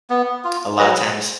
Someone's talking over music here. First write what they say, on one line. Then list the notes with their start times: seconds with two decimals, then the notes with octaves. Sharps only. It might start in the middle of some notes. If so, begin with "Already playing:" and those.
a lotta times,
0.10 B3
0.44 F4
0.79 F#3 B4 D#5